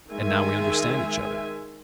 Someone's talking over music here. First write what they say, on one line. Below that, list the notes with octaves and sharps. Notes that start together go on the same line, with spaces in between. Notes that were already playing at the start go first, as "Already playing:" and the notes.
"And now we understand each other."
D#3 G#3 E5 G#5